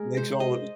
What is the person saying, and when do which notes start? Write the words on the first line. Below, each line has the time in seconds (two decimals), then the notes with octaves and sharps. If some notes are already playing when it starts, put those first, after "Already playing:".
makes all of the
Already playing: G#3 G#4 A#4
0.17 C5
0.40 D#5